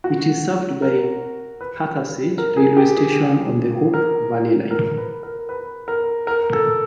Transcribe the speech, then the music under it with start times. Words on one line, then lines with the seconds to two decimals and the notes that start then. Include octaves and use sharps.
It is served by Hathersage railway station on the Hope Valley Line.
0.04 F#4
0.82 A#4
1.61 B4
2.38 A#4
2.57 G#4
2.77 G4
2.97 G#4
3.94 A#4
4.71 A#4
4.98 B4
5.23 A#4
5.49 B4
5.88 A#4
6.27 A#4
6.53 A4